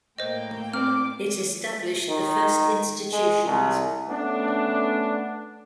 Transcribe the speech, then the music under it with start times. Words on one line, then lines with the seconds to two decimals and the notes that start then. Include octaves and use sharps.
It established the first institutions.
0.18 A2 A#3 C5 D#5 G5
0.73 C4 C5 D5 D6 F6
2.09 D#3
3.13 G#3
3.45 C2
4.09 A3 B3 C#4 D4